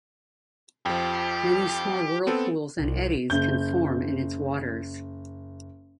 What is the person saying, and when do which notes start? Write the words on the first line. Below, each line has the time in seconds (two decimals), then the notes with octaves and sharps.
Many small whirlpools and eddies can form in its waters.
0.86 F2 F3 G4
2.27 B3 C4 A4
2.78 C2
3.30 F#1 G6